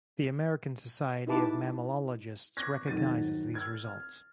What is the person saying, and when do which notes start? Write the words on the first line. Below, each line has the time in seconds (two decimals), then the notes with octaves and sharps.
The American Society of Mammalogists recognizes these results.
1.27 D#4 E4 G4 B4 A5 D6
2.57 C#6 D6 F#6 G#6 A#6
2.87 F2 D#3 F#3 A6 D#7
3.54 E6 F6 G#6 A6
3.84 F6